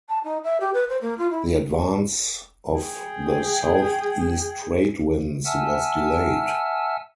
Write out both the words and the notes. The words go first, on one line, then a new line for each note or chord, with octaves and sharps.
The advance of the southeast trade winds was delayed.
A5
D#4
E5
G4
B4
C5
A#3
F4
E4
G#4 G5
E5 F#5 G#5 A5 E6 F6